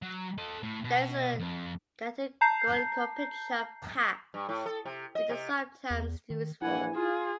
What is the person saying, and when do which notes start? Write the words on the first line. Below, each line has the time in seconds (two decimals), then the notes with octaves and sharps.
There is a categorical picture of paths which is sometimes useful.
0.02 F#3
0.38 A4 D#5
0.63 A2
0.84 B2
1.39 F2
2.41 A5 A#5 G6 C7
4.34 G2
4.49 A2
4.66 A4
4.85 C3
5.15 D#5
5.29 C3
5.90 E2
6.30 D#3
6.62 A#1 E3 E4 F#5 G#5
6.96 F4 G#4